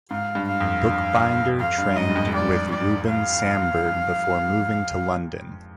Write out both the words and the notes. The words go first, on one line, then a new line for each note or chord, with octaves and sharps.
Bookbinder trained with Rouben Samberg before moving to London.
G#2 F5
G2
F5
F2
G2
F2 F5
G2
G#2 D#5
G2
F2
G2
F2 D5
D5
F5